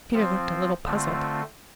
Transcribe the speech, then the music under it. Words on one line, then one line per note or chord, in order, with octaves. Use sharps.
Peter looked a little puzzled.
F3 C4 F4
D3 A3 C4 F4